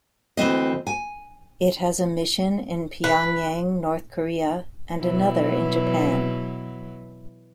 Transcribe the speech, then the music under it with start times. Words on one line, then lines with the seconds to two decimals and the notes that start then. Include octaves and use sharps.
It has a mission in Pyongyang, North Korea and another in Japan.
0.37 D2 E3 C4 D#5
0.87 G#5
3.04 B4
4.99 B2 E3 F#3